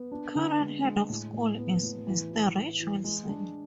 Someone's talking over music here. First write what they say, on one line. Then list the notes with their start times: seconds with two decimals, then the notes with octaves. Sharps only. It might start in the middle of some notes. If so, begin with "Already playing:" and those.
Current Head of School is Mr. Rich Wilson.
Already playing: B3
0.12 D4
0.35 D3
0.60 G#3
0.84 G#3
1.09 A2
1.33 A2
1.57 B3
1.83 A2
2.07 E3
2.31 E3
2.55 E4
2.80 E3
3.04 G#3
3.29 D4